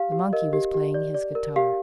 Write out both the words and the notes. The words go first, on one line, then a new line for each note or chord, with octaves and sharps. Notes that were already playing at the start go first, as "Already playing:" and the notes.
The monkey was playing his guitar.
Already playing: G4 F5
G4
A#4 D#5
G4
G4
D5
D5
A#4
G4 F5